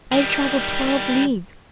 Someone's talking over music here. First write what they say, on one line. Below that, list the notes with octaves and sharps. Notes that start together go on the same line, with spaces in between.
I have travelled twelve leagues.
D#3 G3